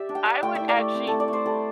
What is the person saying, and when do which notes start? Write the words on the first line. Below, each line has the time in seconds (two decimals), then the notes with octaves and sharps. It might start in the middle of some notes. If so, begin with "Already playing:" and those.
I would actually
Already playing: G4 D5 E5
0.09 D4
0.15 G5
0.26 D4 E5
0.43 A3 G5
0.55 E4 E5
0.69 D5
0.77 A3
0.94 C4
1.07 A3 A4
1.20 D5
1.28 A3
1.33 C5
1.46 G3 A4